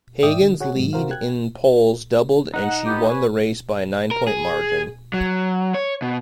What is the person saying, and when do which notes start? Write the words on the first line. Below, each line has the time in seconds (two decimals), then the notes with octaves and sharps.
Hagan's lead in polls doubled and she won the race by a nine-point margin.
0.23 G#2 D5 E5 G5 D#6
0.41 D3
0.60 F#4 G#4 C#5 F#5
0.75 G#2 F#3 G#3
0.93 C3 F#4 A#4 C5 F5
1.11 G5 F#6 G#6
2.54 D#4 F#5
2.86 B3 G4
3.08 B4 C#5 G#5
4.11 A#4
4.27 G#4
5.14 F#3
5.74 C#5
6.02 B2